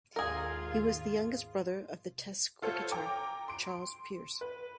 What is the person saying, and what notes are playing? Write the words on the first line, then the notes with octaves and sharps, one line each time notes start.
He was the youngest brother of the Test cricketer Charles Pearse.
D#2 G#2 F4 G#4 A#4
F4 A4 C5 C#5
G5 A#5 D6
C6 D7
B4